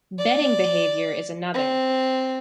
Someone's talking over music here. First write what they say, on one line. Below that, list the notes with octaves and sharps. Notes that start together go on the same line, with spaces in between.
Betting behavior is another.
D5
C4